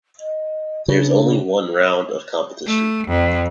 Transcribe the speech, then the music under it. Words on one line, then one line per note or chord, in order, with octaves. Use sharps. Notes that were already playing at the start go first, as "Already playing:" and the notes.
There is only one round of competition.
D#5
C#3 D4
A3
F2